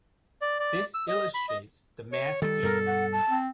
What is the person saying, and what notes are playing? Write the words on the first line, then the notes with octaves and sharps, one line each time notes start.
This illustrates the mass defect.
D5
D5
E6
D#5
B5
D#5
C#5
D#3 G3 A4
G2 B2 G3 A#4
F#5
A5
C4